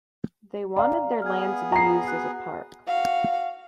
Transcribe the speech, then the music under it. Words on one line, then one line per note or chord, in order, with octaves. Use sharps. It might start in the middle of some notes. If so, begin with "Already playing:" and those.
They wanted their land to be used as a park.
D5 F5 G5 A#5
B3 G#4 F6 G#6
A#5 C7
F#4 F#5 F#6
F#4 F5